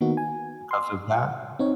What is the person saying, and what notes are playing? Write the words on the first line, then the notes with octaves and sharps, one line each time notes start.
because of that?
D#3 A#3 B3 D#4 F#4
G#5
C6
F#5
C4 D#4 C#5